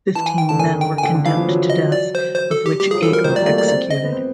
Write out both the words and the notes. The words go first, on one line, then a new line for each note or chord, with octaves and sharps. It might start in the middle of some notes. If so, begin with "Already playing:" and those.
Fifteen men were condemned to death of which eight were executed.
E3 A5
G#5
G5
D3 A5
D#3 G#5
G5
G#5
D3 G5
D3
E3 F5
F3
F#3
D#5
D5
C5
C5
A4
G4
G3 G4
F3 F#3 G#4
E3 A4
F3 A#4
D#3 C5
G3 D5
A#3
A3 D5
A#3 D5
C4 D5
D#5
B3
C4